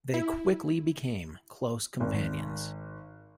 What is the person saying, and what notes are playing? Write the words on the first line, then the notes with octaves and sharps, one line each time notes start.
They quickly became close companions.
E4
G#1